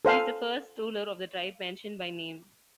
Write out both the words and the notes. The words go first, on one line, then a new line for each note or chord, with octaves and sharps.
He is the first ruler of the tribe mentioned by name.
A4 C5 F5 G#5